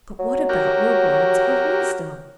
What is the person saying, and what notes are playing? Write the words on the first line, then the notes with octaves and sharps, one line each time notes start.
'But what about your words of wisdom?'
F#3
F#4 G4 A#4